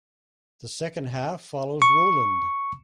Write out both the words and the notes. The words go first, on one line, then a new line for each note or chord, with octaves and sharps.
The second half follows Rowland.
C#6